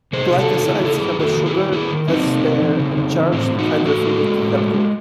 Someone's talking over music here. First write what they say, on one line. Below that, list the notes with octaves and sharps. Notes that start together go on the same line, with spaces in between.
Glycosides have a sugar as their uncharged hydrophilic headgroup.
C3 G#4 C5
C3
F#4 A4
D#3
C#3 E4 G#4
C#3 A4
E4 G#4
F#3
D#3 F#4 A4
D#3
E4 G#4
F#3
D#3 E4 G#4
D#3
F#3 C4 D#4
C3
C3
E3
C#3
C#3
E3
A2 C4
A2
D#4 F#4
E3
A2 F#4 A4
G#3
G#3
A2
G#3
G#3